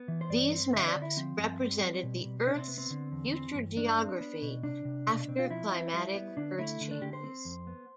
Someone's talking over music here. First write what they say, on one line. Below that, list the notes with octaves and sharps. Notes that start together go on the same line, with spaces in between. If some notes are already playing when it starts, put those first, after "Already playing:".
These maps represented the earth's future geography after climatic earth changes.
Already playing: B3
E3
C5
G2 D5
C4 C5
D3 E5
D5
D3
E4
F3 C4
G2
G3
G3
B2
B2
C3 D4
C4
B3
C4
D3
E2
E3 C4
G2
A3 D4
C4
B3
B2
C3 D4
C3
B2
C4
F4
F3 E4
C4
G3
B3
D3 D4
A3 E4
D3
D4
D3 G4
C5
C4
F2
B3